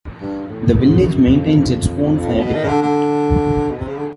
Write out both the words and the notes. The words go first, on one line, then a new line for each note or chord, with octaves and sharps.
The village maintains its own fire department.
G2
A2
G#2
F#2
F2
B2
D#3
C#3
D3
D3
B2
C3
C#3
D3